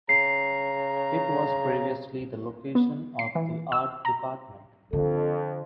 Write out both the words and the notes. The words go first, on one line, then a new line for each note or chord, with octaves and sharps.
It was previously the location of the art department.
C#3 A#5 C7
B3
C7
E3
E6
A#5
F2 D3 A4